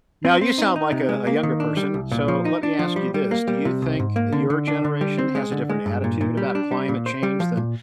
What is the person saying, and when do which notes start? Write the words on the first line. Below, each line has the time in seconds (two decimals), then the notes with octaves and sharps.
Now, you sound like a a younger person, so, let me ask you this, do you think your generation has a different attitude about climate change than
0.25 C4
0.41 C4
0.58 D#4
0.76 D#4
0.92 C3
1.09 G#3
1.27 A#3
1.43 D#3
1.60 D4
1.77 G3
1.94 C2
2.12 A#2
2.28 F3
2.45 D#4
2.63 D4
2.79 F3
2.96 G3
3.14 G3
3.31 A#3
3.48 G3
3.65 C3
3.82 C2
3.99 G#2
4.16 A#3
4.32 D3
4.50 D3
4.68 D4
4.84 D3
5.01 G3
5.18 C4
5.35 G#3
5.52 D3
5.69 G#3
5.86 G2
6.04 A#2
6.21 A#2
6.37 G3
6.55 D4
6.71 G3
6.89 A#2
7.06 C5
7.23 G3
7.40 F3
7.57 A#2